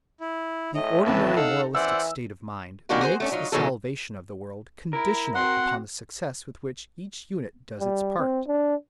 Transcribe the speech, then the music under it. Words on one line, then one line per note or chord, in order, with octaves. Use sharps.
The ordinary moralistic state of mind makes the salvation of the world conditional upon the success with which each unit does its part.
E4
A2 D#5
D#2 C3 E3 B4 A5
D#4 A4 F5 F#5 E6
E3 C5 D5 F#5 E6
E3 A#3 D4 D#4 F#4 G4
F#4 G#4 B4 C5
A3 C#4 D4
F#3 D#4 F4
B2 E3 F#3 D#4 G#4 A4
E4 A#4
C4 F#4 F#5 C6
G3
C4
D4